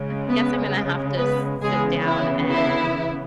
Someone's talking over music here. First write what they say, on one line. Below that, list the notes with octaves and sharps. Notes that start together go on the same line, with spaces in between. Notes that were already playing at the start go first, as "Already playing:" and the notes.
I guess I'm gonna have to s sit down and
Already playing: C#3 G#3
B3 B4
B3 B4
C#3 E3 G#3 B3 G#4
E4
E4